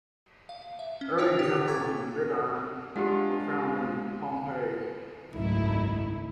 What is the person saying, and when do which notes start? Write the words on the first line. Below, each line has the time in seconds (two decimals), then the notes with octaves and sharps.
Early examples of the gridiron were found in Pompeii.
0.49 F5
0.79 E5
1.01 C#4
1.18 D#4 E4 C#5 G5 D7
1.39 G4 D#6
1.67 G5 A#5 C#6 D6 G#6 A6
2.96 G#3 D4 F4 G4 F#5
5.33 G#1 C#2 F#2 A3 D#4 E4